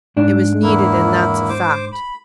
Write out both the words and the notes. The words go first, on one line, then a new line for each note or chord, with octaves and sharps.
It was needed and that's a fact.
G#2 D4
E2 A#3 E4
C5 D6
B5